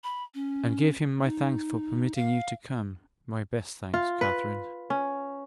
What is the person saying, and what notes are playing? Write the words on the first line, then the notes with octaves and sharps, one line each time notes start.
'And give him my thanks for permitting you to come--my best thanks, Catherine.
B5
C#4
D#4
F5
F4
B4
C#4